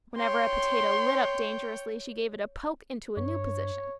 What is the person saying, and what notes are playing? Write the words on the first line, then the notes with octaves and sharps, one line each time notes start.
Whenever a potato lit up dangerously she gave it a poke into a new position.
C#5 G5 C6
G2 C#5